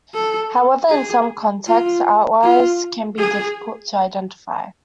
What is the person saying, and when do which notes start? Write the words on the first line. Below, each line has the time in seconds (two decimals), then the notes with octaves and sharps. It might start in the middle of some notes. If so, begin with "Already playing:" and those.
However, in some contexts, outliers can be difficult to identify.
0.14 A4
0.90 G#4
1.67 F4
2.43 F4
3.19 G#4